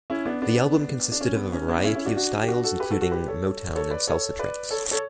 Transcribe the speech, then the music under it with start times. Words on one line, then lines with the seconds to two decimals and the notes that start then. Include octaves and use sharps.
The album consisted of a variety of styles including motown and salsa tracks.
0.10 C#4 E4
0.25 B3 D4
0.42 B3 D4
1.12 D4
1.21 C#4
1.36 B3
1.52 C#4
1.68 B3 D4
1.84 C#4 E4
1.95 C#4 E4
2.05 D4 F#4
2.16 D4 F#4
2.42 G4
2.48 D4 F#4
2.64 F#4 A4
2.80 G4 B4
2.91 F#4 A4
3.01 F#4 A4
3.12 G4 B4
3.28 A4 C#5
3.75 A4 C#5
3.91 B4 D5
4.07 A4 C#5
4.39 B4 D5
4.70 A4 C#5
4.91 A4 C#5